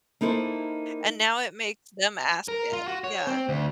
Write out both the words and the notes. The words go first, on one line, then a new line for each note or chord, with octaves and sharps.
And now it makes them ask it. Yeah.
A#3 D#4 E4 A4 C5
A#4
F4
F#4
C#5
C4
D2